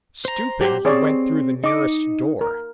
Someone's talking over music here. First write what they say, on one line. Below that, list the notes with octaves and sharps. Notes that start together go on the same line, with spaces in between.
Stooping, he went through the nearest door.
C5 A#5
F#3 G4 C5
C4 G#4 C#5 D5
D#4 D#5 D6
A#4